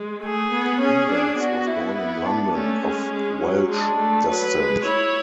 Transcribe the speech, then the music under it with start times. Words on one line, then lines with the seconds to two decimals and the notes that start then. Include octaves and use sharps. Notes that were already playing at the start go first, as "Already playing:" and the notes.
Evans was born in London of Welsh descent.
Already playing: G#3
0.23 A3 G#4
0.52 B3
0.80 C#4 G#4
1.10 D4
1.38 B3 F#4
1.68 E4
1.96 E4
2.25 D4
2.54 A3 C#4
2.83 G#3
3.12 G#3
3.41 F#3
3.70 G#3 D4
3.99 A3
4.28 F#3 B4
4.57 G#3
4.85 E4 C#5